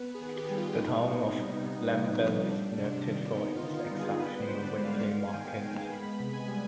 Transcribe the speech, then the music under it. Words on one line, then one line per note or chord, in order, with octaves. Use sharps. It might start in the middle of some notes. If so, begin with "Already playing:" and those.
The town of Lamballe is noted for its exceptional weekly market.
Already playing: B3 B4
G#4
D#3
G4
G3
F4
F4
B3 D#4
C3
G3
B3
C3
F3
G3 D4
C3
D4
D#3
B3 D#4
F4
D3
F4
G3
G#4
B3 B4
C5
D3
D5
G#3
F5
B3 F5
G#5
D#3 G5
G#3 G#5
B3 B5
B5
C3
G#5
G3